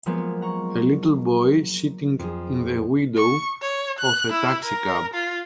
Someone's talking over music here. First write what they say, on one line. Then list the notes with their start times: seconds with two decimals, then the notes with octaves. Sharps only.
A little boy sitting in the window of a taxi cab.
0.06 F3 F#3 G#3 A#3 B3
0.41 F#5 A#5 C#6
2.19 F2 G#4
3.17 C#6
3.62 C#5
3.98 F#6
4.32 E4
4.65 A#4
5.14 F4